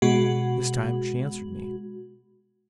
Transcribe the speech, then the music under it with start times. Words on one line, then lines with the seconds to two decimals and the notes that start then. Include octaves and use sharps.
This time she answered me.
0.02 B2 G#3 F#4